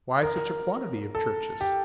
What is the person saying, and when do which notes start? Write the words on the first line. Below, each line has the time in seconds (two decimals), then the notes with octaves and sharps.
"Why such a quantity of churches?"
0.23 A#4
1.15 A4
1.61 G4